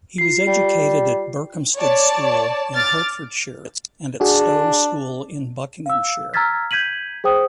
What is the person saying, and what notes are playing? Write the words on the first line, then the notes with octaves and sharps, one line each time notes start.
He was educated at Berkhamsted School in Hertfordshire and at Stowe School in Buckinghamshire.
F4 C7
G3
C#5 D5 A5
D6 F6 A6
D4 F#4 G#4
F5 E6
A#5 E6 F6 G#6 A6 B6
G6 G#6 B6 D#7 F#7
G#4 C5 G5 D#6